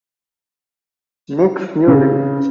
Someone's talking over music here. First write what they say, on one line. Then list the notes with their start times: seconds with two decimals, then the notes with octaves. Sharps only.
Nick Fury.
1.87 C#3